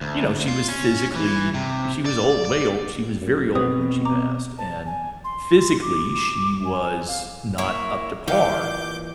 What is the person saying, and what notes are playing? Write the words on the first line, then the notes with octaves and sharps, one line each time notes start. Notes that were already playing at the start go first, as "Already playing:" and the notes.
you know, she was physically She was old, way old, she was very old when she passed, and physically she was not up to par,
D2
F4
C#4
E3
C3
D5
D5
F#2
B2 B3 C4 B4 D#6
A#5 D6
A5
G#5
C6
D6
G#5
F5
A#3 E4 C#5
A#2 E3 F5 D6 G6